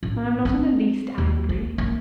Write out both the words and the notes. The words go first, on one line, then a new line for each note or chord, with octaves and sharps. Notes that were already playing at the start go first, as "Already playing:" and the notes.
"I am not in the least angry."
A1
C4
D#2
A#3
A#3